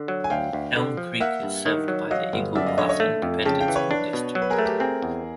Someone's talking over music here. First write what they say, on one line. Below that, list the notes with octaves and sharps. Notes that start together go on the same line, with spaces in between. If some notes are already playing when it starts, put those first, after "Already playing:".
Elm Creek is served by the Eagle Pass Independent School District.
Already playing: D3
F#3
G#5
D2 F5 G5
D2
D3
F3
A#3 E5 F#5
G2
D#3
F#3
F#3 D#5 F5
G1
F#2 D5 E5
D#5 F5
D3 C#5 D#5
C#5 D#5
A3
F2
C#3 G5 A5
F5 G5
E3
B4 C#5
D4
B2
F#3
B4
G#4 A#4
A3
G4 A4
C4 G#4 A#4
E2